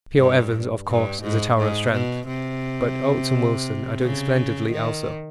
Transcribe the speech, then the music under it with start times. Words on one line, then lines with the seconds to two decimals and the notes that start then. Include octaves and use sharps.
P.O. Evans, of course, is a tower of strength, but Oates and Wilson are doing splendidly also.
0.18 G2
0.87 G2
1.23 G#2
1.57 G#2
1.92 B2
2.27 C3
4.02 C#3
4.72 D#3